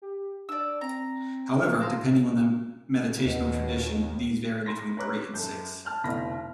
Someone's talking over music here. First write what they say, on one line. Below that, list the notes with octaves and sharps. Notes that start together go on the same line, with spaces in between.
However, depending on the meditational tradition, these vary between three and six.
G4
D4 D5 E6
C4 A#5
F3
F5 A5 A#5 C6
D#2 B2
B5 C6 A#6
B4 C#5 A#5 B5 D6 F#6
F#2 A4 G6
A5 F6 G6
F1 B2 D3 E4 B5 A#6